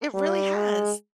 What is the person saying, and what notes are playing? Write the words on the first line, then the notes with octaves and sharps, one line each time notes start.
It really has,
G3
G#3